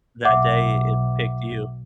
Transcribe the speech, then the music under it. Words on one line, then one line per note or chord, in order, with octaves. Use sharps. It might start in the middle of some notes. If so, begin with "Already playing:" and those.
that day it picked you.
B1 E5 F#5 D6